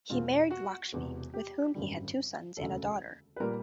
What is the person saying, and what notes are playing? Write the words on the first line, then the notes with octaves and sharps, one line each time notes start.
He married Lakshmi, with whom he had two sons and a daughter.
E2 B2 G#3 C4 F4
F#4
E1 E2 C3
G4
G#1 F#2 D3 G3
E1 D2 C#3 A4
B4
A#2 G3 A#3 A#4